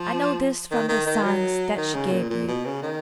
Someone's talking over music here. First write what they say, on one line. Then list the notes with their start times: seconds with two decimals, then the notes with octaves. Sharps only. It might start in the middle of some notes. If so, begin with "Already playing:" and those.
I know this from the signs that she gave you.
Already playing: F3
0.71 D#3
0.89 D#3
1.06 D#3
1.24 F#3
1.77 D#3
1.94 C#3
2.12 A#2
2.30 A#2
2.48 B2
2.66 C#3
2.83 D#3